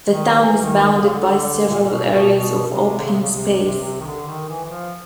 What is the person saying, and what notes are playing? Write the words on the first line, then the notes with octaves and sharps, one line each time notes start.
The town is bounded by several areas of open space.
D#3
E3
D#3
D#3
D3
C#3
D3
A#2
A#2
B2
A#2
B2
B2
C3
D3
C#3
C3
C#3
C3
C3
C3
D#3
D3
D#3
E3
E3
F3